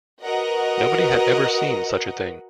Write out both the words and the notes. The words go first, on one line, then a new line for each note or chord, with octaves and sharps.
Nobody had ever seen such a thing.
F#4 A#4 B4 D#5 F#5